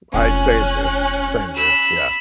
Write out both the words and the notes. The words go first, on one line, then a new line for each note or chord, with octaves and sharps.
I same, dude. Same, dude, yeah.
F1 C#4 F#6
B5 E6